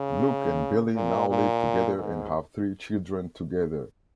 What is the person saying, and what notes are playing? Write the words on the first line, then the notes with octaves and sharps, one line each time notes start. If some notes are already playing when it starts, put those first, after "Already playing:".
Luke and Billie now live together and have three children together.
Already playing: C#3
A#2
A#2
G#2